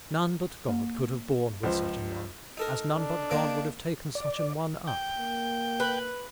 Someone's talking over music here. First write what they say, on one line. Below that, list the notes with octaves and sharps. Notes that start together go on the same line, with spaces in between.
None but God could have borne with such an one, as none but God would have taken such an one up.
A#3
C#2 F3 C5
D#4 A4 A#4
D4
D#3 A#3 D5
D5
G5
A#3
B4